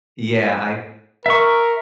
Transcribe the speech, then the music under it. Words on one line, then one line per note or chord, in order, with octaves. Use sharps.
Yeah, I
A#4 E5 C#6